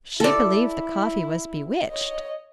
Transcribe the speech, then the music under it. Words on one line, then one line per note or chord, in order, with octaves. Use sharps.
She believed the coffee was bewitched.
E4 A4 D5
C#5 D#5